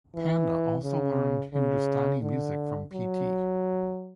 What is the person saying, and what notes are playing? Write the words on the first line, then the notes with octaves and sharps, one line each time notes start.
Panda also learned Hindustani music from Pt.
E3
C#3
C#3
D3
F#3